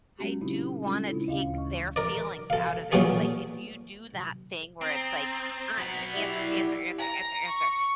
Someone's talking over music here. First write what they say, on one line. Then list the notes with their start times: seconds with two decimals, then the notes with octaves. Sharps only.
I do wanna take their feelings out of it, like, if you do that thing where it's like, at "Answer, answer, answer, answer, answer."
0.19 F#3 G#3 B3 C#4 F#4 G4
0.41 A#2 C#3 C4 C#4 D#4 E4
0.83 G3 G#3 C#4 D#4 F4 A4
1.09 A#2 C#3 G#3 D4 E4 F4
1.28 D2 C#3 C#4 F5
1.54 E3 C#6
1.96 A#4 D5
2.50 A4 F5
2.92 A#2 G3 B3 C#4 G#4 A4
4.81 C4 A#5 D#6 A6
5.78 F#3 B3
6.12 E4 G4 D5
6.98 A#5
7.48 C#6